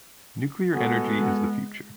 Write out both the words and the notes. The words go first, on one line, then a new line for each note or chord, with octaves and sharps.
Nuclear energy is the future.
G#3 B3 F#4 A4 G#5